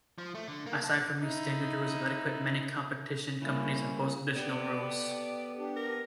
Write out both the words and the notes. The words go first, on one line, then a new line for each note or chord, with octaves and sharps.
Aside from these standard rules of etiquette, many competition companies impose additional rules.
F3
A3
D3
A#3
A5
D#4 E4
C#3 G3 A#3 C#4 E4
B3 G4 A4 D5
D4 G4
A#4